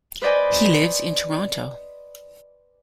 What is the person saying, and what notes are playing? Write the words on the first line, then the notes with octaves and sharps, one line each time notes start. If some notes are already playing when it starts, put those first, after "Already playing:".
He lives in Toronto.
B4 C5 D5 D#5 G#5